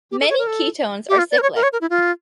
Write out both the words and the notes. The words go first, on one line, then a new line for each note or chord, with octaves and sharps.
Many ketones are cyclic.
G4
A4
C#5
A#4
A4
G4
F4
D5
A#4
C#5
A#4
C#5
A#4
E4
F4